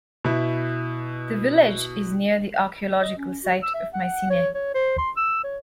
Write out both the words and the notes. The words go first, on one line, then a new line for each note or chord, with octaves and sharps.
The village is near the archaeological site of Mycenae.
B2 E4
D#5
C#4
F#4
E6
E5
F#5
C#5
C#5
C5
C6
E6
C#5